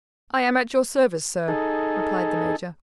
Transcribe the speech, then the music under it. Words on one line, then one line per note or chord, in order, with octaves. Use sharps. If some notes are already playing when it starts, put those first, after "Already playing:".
"I am at your service, sir," replied the major.
D#4 G#4 A4